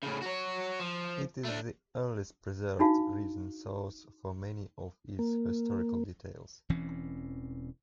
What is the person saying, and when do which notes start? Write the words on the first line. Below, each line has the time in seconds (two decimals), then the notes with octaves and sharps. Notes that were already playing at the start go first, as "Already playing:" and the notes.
It is the earliest preserved written source for many of its historical details.
0.03 A2 C#3
0.22 F#4 C#5
0.79 F3
1.45 A3 D4
2.79 D4 D#4 F#4 F5
5.19 A#3
6.70 E1 E3 C4 C#4